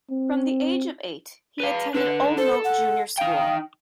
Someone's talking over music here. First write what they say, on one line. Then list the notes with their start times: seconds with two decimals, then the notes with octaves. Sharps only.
From the age of eight he attended Old Moat Junior school.
0.10 C4
1.60 B4 F5
1.94 D4 A4 B4
2.38 A4 C5
2.65 F#5
3.18 D#4 F5 G5